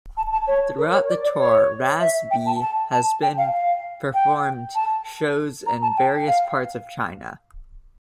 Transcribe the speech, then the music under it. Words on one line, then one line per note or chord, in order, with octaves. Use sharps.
Throughout the tour Raz B has been performed shows in various parts of China.
A5
A5
C#5
A#4
C#5
D5
D5
C#5
E5
G5
A5
A5
A5
G5
F5
F5
G5
A5
A#5
A5
G5
F5